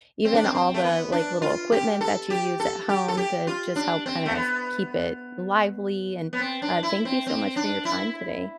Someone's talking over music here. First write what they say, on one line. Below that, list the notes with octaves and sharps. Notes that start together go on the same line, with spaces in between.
even all the, like, little equipment that you use at home to just help, kinda s keep it lively, and, uh, thank you so much for your time today.
C4
D4
C4
C4
A3
B3
D4
F4
G4
A4
G4
A4
G4
A4
G4
F4
D4
C4
A3
B3
B3
C4
D4
E4
C4
C4
D4
E4